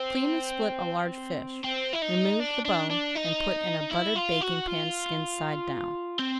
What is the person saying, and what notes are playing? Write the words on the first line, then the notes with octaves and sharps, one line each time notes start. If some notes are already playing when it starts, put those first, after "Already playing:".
Clean and split a large fish, remove the bone, and put in a buttered baking-pan skin-side down.
Already playing: C4
C4
E4
D#4
D4
D4
D4
D#4
E4
F4
F#4
F4
C4